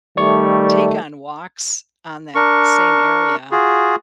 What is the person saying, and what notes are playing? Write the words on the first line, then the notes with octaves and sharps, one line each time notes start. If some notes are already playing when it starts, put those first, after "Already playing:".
take on walks on that same area,
D#3 G3 A3 D5 C#6
D4 A#4 C#6
F4 F#4 G#4